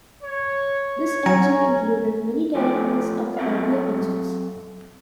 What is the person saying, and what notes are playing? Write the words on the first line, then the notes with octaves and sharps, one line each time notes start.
This engine included many developments of the earlier engines.
C#5
F#3 C#4 G#5 A#5 G#6
F3 A3 C#4 G4
F#3 C4 A4 E5 F5